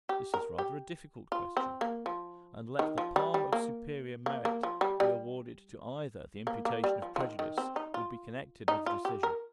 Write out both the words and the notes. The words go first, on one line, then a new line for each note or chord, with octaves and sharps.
This is rather a difficult question; and let the palm of superior merit be awarded to either, the imputation of prejudice would be connected with the decision.
G4
A#4
G4
F4
C4
A#3
F3
D#3
F3
G3
G3
A#3
A#3
A#3
F3
G3
G3
A#3
A#3
G3
F3
F3
D#3
D#3
C4
D#4
F4
D#4
F4
G4
A#4